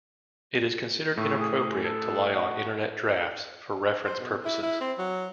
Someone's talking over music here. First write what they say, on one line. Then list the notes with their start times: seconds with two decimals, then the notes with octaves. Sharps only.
It is considered inappropriate to rely on Internet Drafts for reference purposes.
1.17 A2 A3
1.39 G#4
1.85 A4
2.34 F#4
4.05 C5
4.19 B2
4.45 E4
4.63 E4
4.81 C4
4.98 F#3